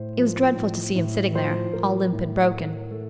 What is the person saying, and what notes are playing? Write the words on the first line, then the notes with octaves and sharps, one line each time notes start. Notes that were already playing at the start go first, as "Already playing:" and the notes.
It was dreadful to see him sitting there, all limp and broken.
Already playing: A2 C5
F3
A2
A2
F3 C5
A2 A#4
A2
A3
A3 A4